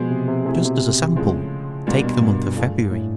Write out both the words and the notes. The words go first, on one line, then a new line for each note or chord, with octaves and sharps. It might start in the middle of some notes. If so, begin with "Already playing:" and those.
Just as a sample, take the month of February.
Already playing: B2 F3 G#3 B3 G#4 C5
C3
C3
C3 A3 C4 E4 G#4
B2
C3
A2 C#3 F3 G#3 C4 E4
A#2 G3 A#3 D4 F#4
B2
G2
A3 D4 F4 G#4
A2